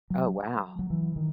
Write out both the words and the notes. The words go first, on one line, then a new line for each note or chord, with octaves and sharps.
Oh, wow.
F#3
F#3
E3
D#3